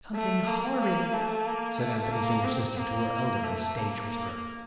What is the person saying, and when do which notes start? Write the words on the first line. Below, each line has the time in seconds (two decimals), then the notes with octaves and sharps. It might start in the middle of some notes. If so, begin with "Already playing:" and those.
"Something horrid," said Anthony's younger sister to her elder in a stage whisper.
0.15 A3
0.47 A#3
0.80 A#3
1.13 A3
1.46 A#3
1.79 A3
2.12 A#3
2.45 C4
2.78 A#3
3.43 A3
3.76 A#3
4.09 A#3